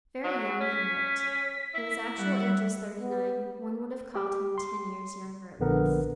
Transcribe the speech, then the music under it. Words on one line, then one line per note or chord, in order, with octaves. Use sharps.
Very young he looked: though his actual age was thirty-nine, one would have called him ten years younger, at least.
F#3
C#4 B6
E4
G3 F#5
B3
G4
C6
A#1 D3 B3 A#4